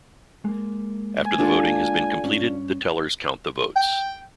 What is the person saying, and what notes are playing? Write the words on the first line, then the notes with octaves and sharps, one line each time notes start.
After the voting has been completed the tellers count the votes.
G#3 A#3
G#5
D4 F4 A4
G2 C#4
G5